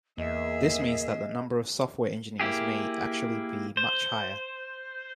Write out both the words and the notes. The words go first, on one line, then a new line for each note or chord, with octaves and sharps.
This means that the number of software engineers may actually be much higher.
E2 A#3 G#4 D#5 E5
A#3 E4 G4 G#4
C5